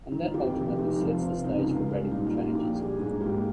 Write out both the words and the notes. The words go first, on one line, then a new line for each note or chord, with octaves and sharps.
And that ultimately sets the stage for radical changes.
D#3
F4
F2 G4
F1 G4
F1 D#4
F3 F4
C3 F4
C#2 D#4
C#2 F4
G3 F4
A#2 D#4
F4
A#3 D#4
A#1 G4
G3 G#4
G#2 G#4
A#3 G4